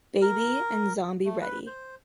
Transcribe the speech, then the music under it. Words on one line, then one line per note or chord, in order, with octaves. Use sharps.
Baby" and "Zombie Reddy.
A#4
A3
B4
C5